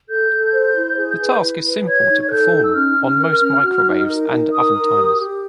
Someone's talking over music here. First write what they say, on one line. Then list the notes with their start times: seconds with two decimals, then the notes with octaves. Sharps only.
The task is simple to perform on most microwaves and oven timers.
0.08 A4 G6
0.31 A4
0.53 C5
0.75 E4
0.97 G#4
1.19 B4
1.41 E4
1.64 B4
1.86 C#5 G#6
2.08 D#4
2.26 F#6
2.30 A4 G6
2.52 D#4
2.62 E6
2.74 C#4 F6
2.97 C#4
3.19 A#4
3.40 C#4
3.63 F#4
3.86 D#4
4.08 A#4
4.29 D#4
4.52 A#4 D#6
4.74 A#4
4.96 G4
5.18 G4